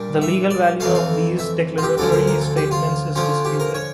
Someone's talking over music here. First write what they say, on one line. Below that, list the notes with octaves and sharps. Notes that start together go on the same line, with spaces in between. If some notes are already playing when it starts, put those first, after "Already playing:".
The legal value of these declaratory statements is disputed.
Already playing: A#2 G3 D4
E5
D5
F2 E3 A3 F5
F5
E5
F4
G4
D2 D3 F3 C#4 A4
A#4
A#4
A4
G4
F4
D3 F3 C#4 F4
G4
A#4
C#5